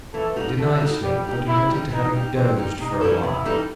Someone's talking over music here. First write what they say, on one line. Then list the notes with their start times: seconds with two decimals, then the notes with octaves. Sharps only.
He denied sleep, but admitted to having "dozed" for a while.
0.13 E3 A3 A4
0.36 G3 D#4 F#4 A4
0.58 E3 A3 A4
0.80 G3 D#4 F#4 A4
1.02 B2 G3 G4
1.24 G3 D#4 G4
1.46 B2 E4
1.69 G3 D#4 G4
1.91 E3 D#4
2.13 G3 D#4 G4
2.35 E3 C4
2.57 G3 D#4 G4
2.79 C3 D#4
3.01 E3 G3 D#4 A4
3.23 C3 E4
3.45 E3 G3 D#4 A4